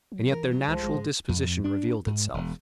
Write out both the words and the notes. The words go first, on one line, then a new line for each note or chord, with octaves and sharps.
And yet their natural disposition revealed itself.
F#3
E3 A#4
F#3
C2 F3 G#3
G#1 G#3
G#2
F2
D4
G#2
E1